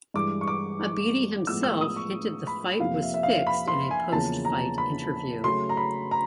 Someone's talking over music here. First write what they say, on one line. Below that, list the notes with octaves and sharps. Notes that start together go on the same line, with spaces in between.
Abidi himself hinted the fight was fixed in a post fight interview.
G2 E3 G#3 D6
C#6
D6
A2 F3 G#3 B3 E6
E6
D#6
C#6
B5
F2 C3 F3 A#3 F5
E5
E5
F5
B5
C6
G#5
E2 C#3 F3 A#3 A5
A#5
B5
C#3 F#3 A3 C6
A#5
B5
A#5